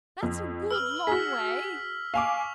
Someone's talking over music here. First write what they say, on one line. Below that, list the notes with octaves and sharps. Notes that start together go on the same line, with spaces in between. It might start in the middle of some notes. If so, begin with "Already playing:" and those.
'That's a good long way.
F2
B4 E6 F6 F#7
F#4 G#4 B6
F5 G#5 C#6 D6 F7